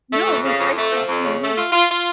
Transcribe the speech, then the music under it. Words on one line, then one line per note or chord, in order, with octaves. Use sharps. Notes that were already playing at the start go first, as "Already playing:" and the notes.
No, it was great talking yeah,
A3
F2
C#3
F2
A3
F3
F2
C#3
A3
F4
F4
F4